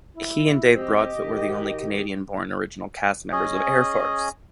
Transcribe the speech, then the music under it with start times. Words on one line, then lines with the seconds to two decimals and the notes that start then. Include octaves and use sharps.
He and Dave Broadfoot were the only Canadian-born original cast members of "Air Farce".
0.17 E4
0.74 C4 G4 D#5
1.19 D#3
3.32 C#4 G#4 D#5